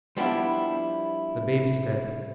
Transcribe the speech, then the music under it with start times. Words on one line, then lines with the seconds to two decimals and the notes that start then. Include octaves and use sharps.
The baby's dead.'
0.17 F3 G3 B3 D4 E4